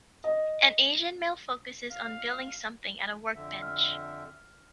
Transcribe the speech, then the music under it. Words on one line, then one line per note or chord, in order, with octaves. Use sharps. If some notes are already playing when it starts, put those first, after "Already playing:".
An Asian male focuses on building something at a workbench.
D#5
F5
F2 D3 E5
F6